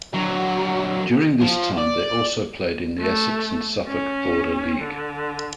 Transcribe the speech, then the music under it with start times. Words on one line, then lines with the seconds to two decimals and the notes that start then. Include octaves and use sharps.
During this time they also played in the Essex and Suffolk Border League.
0.13 D3 F#3
1.41 F3
1.77 D5
2.99 A3
3.88 C#4
4.83 D3